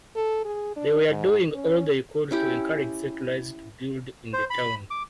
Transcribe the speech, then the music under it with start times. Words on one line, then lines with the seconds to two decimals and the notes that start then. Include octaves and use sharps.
They were doing all they could to encourage settlers to build in the town.
0.15 A4
0.45 G#4
0.76 D4
1.09 G#2
1.54 C#4
2.31 C#4 E4 G4
4.33 C5
4.50 B5
4.90 D6